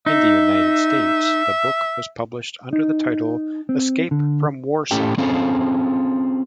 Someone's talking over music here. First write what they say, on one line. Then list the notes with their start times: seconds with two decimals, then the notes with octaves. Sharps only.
In the United States the book was published under the title "Escape from Warsaw".
0.06 D#4 E5
2.73 D#4
3.69 C4
4.11 D3
4.91 A2 C#4 G4 A4 G5
5.18 C4 C#4 F4 G#4 A4 C5